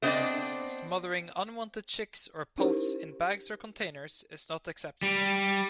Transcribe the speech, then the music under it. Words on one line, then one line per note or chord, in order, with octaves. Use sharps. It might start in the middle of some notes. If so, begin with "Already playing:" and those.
Smothering unwanted chicks or poults in bags or containers is not acceptable.
A3 B3 C4 D4 D5 D#5
C#4 D#4 E4 G4 A#4 C5
G3